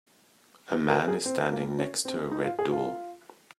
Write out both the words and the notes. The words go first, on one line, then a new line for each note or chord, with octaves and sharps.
A man is standing next to a red door.
A#4
G#4
C4
A#3
C#4
C4
D#4
F4
G#4
F4